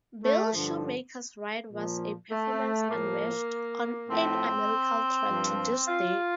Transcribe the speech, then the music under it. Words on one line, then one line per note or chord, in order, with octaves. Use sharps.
Bill Shoemaker's ride was a performance unmatched on any American track to this day.
A3
G2 D3 F3
A#2 F3
A3
A2 F3 A#3
A2 F3 C4
G2 F3
F4